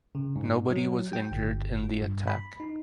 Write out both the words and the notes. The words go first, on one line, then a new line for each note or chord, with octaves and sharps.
Nobody was injured in the attack.
C#3
G#2
F#3
G5
G1
F4
G2
B5
D#4